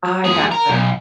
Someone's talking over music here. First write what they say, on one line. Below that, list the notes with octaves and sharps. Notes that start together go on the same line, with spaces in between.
I gotcha.
F2 G#4
A#4
B1